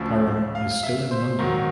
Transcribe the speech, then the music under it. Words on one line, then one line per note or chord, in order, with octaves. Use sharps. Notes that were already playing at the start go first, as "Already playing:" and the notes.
Param is still in London.
Already playing: D2 C#3 F3
F5
E5
C5
G#2 D#3 F#3